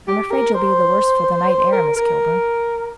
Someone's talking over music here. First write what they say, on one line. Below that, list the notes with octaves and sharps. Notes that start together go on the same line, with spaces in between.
I'm afraid you'll be the worse for the night air, Miss Kilburn.
G4
A#4
C5
C5
A#4
A#4